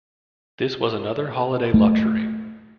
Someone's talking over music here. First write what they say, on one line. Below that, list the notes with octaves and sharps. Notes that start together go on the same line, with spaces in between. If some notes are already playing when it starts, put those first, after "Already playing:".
This was another holiday luxury.
A3